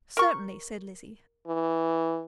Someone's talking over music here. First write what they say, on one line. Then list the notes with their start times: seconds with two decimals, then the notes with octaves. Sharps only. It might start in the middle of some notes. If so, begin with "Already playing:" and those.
"Certainly," said Lizzie.
0.17 A#4 C#6
1.47 E3